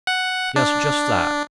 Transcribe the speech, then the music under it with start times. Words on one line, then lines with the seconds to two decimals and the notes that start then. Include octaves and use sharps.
Yes, just that.
0.07 F#5
0.56 D4